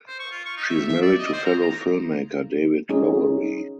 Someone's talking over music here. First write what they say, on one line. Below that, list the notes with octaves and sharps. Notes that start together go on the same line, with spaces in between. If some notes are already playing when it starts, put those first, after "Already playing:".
She is married to fellow filmmaker David Lowery.
C5
C#6
F4
C#6
D#4
E5
E5
D5
D#5
C5
A#5
A#5
C#4 D#4 G#4